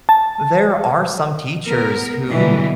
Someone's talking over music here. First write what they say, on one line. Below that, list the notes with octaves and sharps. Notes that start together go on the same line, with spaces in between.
there are some teachers who
A5
B3 A#4
B2 D3 E3 F#3 G3